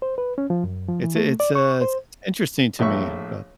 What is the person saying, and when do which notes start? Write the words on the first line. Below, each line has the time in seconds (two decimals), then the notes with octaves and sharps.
It's a it's a s interesting to me, but
0.02 C5
0.18 B4
0.38 C#4
0.50 F3
0.64 F#2
0.89 F3
1.04 E3
1.16 A3
1.40 D5
1.55 C#6
1.82 C5
2.79 A#1 A2 E5 C#6